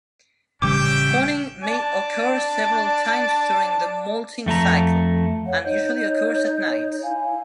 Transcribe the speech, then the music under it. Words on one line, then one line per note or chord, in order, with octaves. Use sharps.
Spawning may occur several times during the moulting cycle, and usually occurs at night.
A1 C#3 G3 C#4 E5 G5 D6
D5 A5
F2 A3 A4 A#5
C#5 F5 F#5
D#4 C#5 D#5 G6
E4 F5 G#5